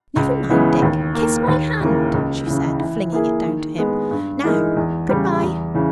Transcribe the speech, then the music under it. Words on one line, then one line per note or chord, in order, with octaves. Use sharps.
"Never mind, Dick; kiss my hand," she said, flinging it down to him. "Now, good-bye."
C#2
C#3 E3 G#3 B3
D#2
D#3 A#3
D#2
C#3 E3 A#3
C#2
C#3 E3
E3
A#3 E4 G#4
D#3
G#3 B3
G2
E3 G#3 D#4 A#4
E2
C#3 G3
E2
C#3 E3